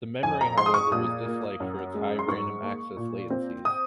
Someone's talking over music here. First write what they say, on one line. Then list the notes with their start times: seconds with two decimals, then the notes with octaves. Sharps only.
The memory, however, was disliked for its high random access latencies.
0.23 F2 G#5
0.41 A#5
0.57 G#3 C6
0.66 D#6
0.74 C#6
0.91 A#2 D#6
1.26 A#3
1.60 F#2
1.94 G#3
2.19 C6
2.28 G#2 C#6
2.62 A#3
2.97 A#2
3.30 C4
3.65 D#6